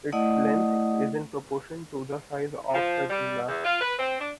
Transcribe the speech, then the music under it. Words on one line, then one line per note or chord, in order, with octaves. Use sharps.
Its length is in proportion to the size of the gymnast.
A3 E4 D5 D#5 F#5 D#6
F3
G3
E2
F4
B4
C4
D4